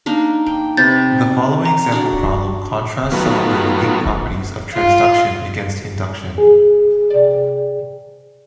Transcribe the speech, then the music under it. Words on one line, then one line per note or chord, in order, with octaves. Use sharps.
The following example problem contrasts some of the unique properties of transduction against induction.
A#3 D4 D#4
G5
C3 B4 G6 A6
A#5
D4 F#4 D5
D#3 F#3 A3 B3 F4
F4
G#4
C3 D5